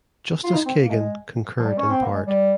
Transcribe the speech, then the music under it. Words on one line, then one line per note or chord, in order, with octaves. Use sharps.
Justice Kagan concurred in part.
F4
D#4
C4
A#3
G#3
F3
G3
C#4
C4
A#3
G#3
G3